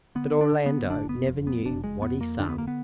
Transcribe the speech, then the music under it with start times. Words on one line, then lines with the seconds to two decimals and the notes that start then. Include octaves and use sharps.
But Orlando never knew what he sang.
0.15 D3 B3
0.41 D4
0.53 D3
0.66 B3
0.90 F#1 D4
1.09 B3
1.28 F2
1.47 B3
1.65 F#1 D4
1.84 G#3
2.02 F2 B3
2.21 A#3
2.39 D3 D4
2.49 B3
2.58 A#3
2.68 B3